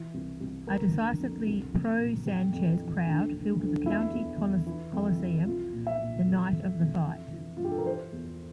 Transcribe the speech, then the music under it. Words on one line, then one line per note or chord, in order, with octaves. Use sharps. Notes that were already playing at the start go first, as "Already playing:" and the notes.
A decisively pro-Sanchez crowd filled the County Coliseum the night of the fight.
Already playing: E3
C2
C2
F2 A#4
D3
F2
C2
C2
A#2
F2 G4
F2
E3
D2
D2
D2
E2 E4
E2
E2
E3
F2
E3
C2 F4
A#2
E5
A#2
F2
F2
F2
E3
E3
G2 F4
G4
A4
A#4
E3 C5
E2